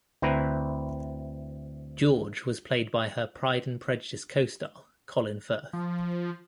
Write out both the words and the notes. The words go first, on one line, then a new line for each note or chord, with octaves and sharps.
George was played by her "Pride and Prejudice" costar Colin Firth.
D2 C4 E4 B4 A#5
F3